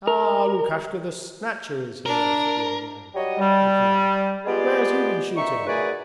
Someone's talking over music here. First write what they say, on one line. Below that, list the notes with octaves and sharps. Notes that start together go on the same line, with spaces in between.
'Ah! Lukashka the Snatcher is here!' said the old man, looking up. 'Where has he been shooting?'
A#4
D4 A#4
F#3 G3 C#5 D#5
G3
G#3 B3 F4 G4 G#4 D5
A#2 D#4 E5 C#6
F#2 C#3 A3 G#4 B4 D5